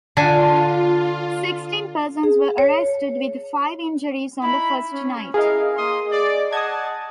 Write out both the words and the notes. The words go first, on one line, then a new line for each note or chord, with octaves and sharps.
Sixteen persons were arrested, with five injuries on the first night.
D3 D4 F4 G#5
G#4
C#5
D#4 E4 B5
C#4
E4 G#4 A#4 D#5 F5
A#3 C6 D#6
D5
D#5 F#5 A5 D#6 G#6